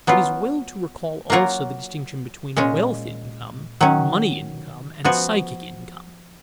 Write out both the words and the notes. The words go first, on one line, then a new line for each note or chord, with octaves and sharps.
It is well to recall also the distinction between wealth income, money income, and psychic income.
F#3 B3 F4
F#3 A#3 F4 A#4 C#5
A#2 G#3 C#4
D#3 F#3 C#4
F3 B3 F#4